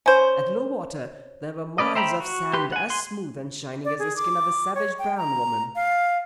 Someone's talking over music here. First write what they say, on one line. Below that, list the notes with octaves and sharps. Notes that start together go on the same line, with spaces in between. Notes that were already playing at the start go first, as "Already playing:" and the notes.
At low water there were miles of sand as smooth and shining as the skin of a savage brown woman.
C#4 C5
C#4 B4 D5 D#5
C5 E5 G5 A#5 B5
F#4
G4 B4 C6
F#5 G#5
F#5 G#5 C6
D5
G#4
D6
C#5
G5
A#5
F5